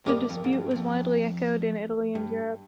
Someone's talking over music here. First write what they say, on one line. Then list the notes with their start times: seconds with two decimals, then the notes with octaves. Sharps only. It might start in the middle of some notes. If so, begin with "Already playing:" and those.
The dispute was widely echoed in Italy and Europe.
0.06 G2 C3 G3 A#3 D#4
0.30 F2
0.44 G#2
0.53 G2
0.71 G2
0.76 F2
2.15 G2